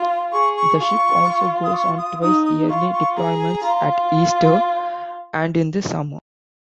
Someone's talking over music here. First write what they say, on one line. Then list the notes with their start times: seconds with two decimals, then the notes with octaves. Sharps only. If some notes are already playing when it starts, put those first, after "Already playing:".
The ship also goes on twice yearly deployments, at Easter and in the summer.
Already playing: F4
0.32 G#4 C#6
0.57 C#6
0.80 F4 C#6
1.64 D#6
1.74 C#6
1.98 D#6
2.22 D#4 D#6
2.46 D#6
2.69 F4 C#6
2.93 C#6
3.17 G#4 A#5
3.64 F4